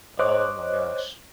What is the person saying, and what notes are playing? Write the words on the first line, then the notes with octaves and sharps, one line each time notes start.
Oh my gosh.
C5 C#5 D#5 D6 F#6